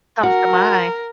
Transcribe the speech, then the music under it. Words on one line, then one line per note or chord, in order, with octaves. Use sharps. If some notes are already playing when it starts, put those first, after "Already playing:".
comes to mind.
F#4 A#4